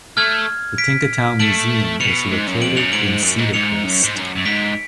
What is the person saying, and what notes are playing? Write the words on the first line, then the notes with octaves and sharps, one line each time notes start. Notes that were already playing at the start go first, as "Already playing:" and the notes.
The Tinkertown Museum is located in Cedar Crest.
A3 F6 G#6
B6 D7
A3 D7 F#7
B2 C#7 F7
A2
G#2
F#2
F2 D7 F#7
F#2 C#7 F7
G#2 D7 F#7
F#2
G#2
G#2 C#7 F7
F#2
G#2
F#2
F#2
G#2 B6 D7